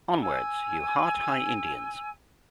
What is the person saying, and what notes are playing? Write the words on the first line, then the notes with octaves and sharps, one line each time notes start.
Onward you Hart High Indians.
G#5 E6